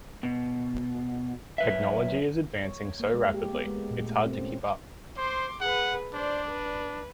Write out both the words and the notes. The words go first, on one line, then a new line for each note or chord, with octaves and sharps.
Technology is advancing so rapidly, it's hard to keep up.
B2
F#2 B4 E5
C#5
A#3
G#3
G4
B3
G#3
A#2
A3
C4
C#4
C5 C6 D6
G#4 B4 F#5
D4 C5 D5
B4